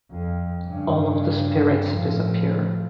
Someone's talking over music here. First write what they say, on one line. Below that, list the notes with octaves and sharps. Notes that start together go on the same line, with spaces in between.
All of the spirits disappear.
F2
G2 C#3
A2 F3